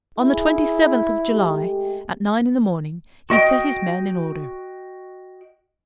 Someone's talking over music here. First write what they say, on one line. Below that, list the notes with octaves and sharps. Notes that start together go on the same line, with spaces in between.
On the twenty-seventh of July, at nine in the morning, he set his men in order.
E4 G#4
G#3 A3 G4
F#4 D#5 G5